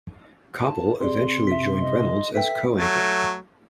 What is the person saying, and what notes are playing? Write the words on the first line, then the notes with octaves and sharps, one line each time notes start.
Koppel eventually joined Reynolds as co-anchor.
A5
C3 G#4 D5 C6
E5 B6
D#5
A4 B4 E5 G5 B6
F#3 A3